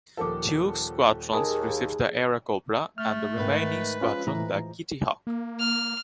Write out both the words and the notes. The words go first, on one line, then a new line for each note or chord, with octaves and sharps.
Two squadrons received the Airacobra and the remaining squadron the Kittyhawk.
D#1 F3 A4 A#4 D6
D#2 G#4 G#5 A5 D#6
A3 F6
G#2 D#3 B4
F3 G#3 C#4 F4
A2 E3 A#5
A#3
F6